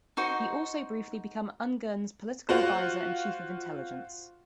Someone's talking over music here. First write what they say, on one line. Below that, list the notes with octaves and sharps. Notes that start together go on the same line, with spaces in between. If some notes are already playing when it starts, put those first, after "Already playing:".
He also briefly became Ungern's political advisor and chief of intelligence.
D#4 F#4 C5
F4 F#4 C5